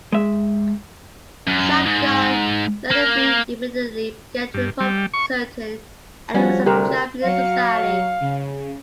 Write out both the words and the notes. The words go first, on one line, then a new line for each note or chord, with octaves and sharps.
Shogun Ienobu immediately began to reform certain elements of Japanese society.
G#3 E5
F#2
G#2
A#3
G2
G3
C#6
F3 G3 C#4 F#4
D2 C3 F#3 G4 A#4
F#3 F5 C#7
C#3